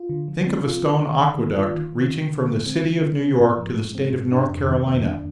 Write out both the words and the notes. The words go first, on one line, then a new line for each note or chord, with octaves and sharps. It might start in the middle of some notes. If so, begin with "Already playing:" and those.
Think of a stone aqueduct reaching from the city of New York to the State of North Carolina!
Already playing: F4
D3
F3
C4
F4
D3
D#3
D#3
A#3
F4
D#3
D#3
D3
D3
G#3
C4
D3
D3
C4
G#2
F3
G#3
C4
G#2
D4
F2
D#3
A#3
D4